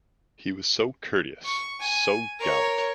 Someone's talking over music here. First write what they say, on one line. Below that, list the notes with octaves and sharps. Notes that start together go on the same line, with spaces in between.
He was so courteous, so gallant!
C#6
G#5
A#4 C#5